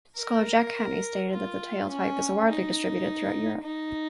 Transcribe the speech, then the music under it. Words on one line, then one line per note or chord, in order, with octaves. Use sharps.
Scholar Jack Haney stated that the tale type is "widely distributed throughout Europe".
A#4
F4
C#4
D#4
D#4